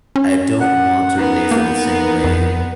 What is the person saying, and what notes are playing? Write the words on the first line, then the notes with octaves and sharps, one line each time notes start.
I don't want to raise them the same way
C#4
F#5
B3 D#4 A#4
A#3
F2